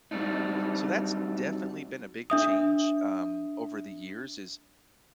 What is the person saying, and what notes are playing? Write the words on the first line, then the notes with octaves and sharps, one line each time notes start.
So that's definitely been a big change, um, over the years is
F#3 G3 C4 D4 D#4
D4 E5 D#6